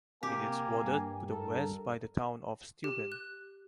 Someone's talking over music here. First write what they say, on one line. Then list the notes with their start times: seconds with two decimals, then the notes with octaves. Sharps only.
It is bordered to the west by the town of Steuben.
0.23 C3 A#3 G4 G#5
0.83 G2
1.29 A4 A#4
2.84 G4
3.12 F#6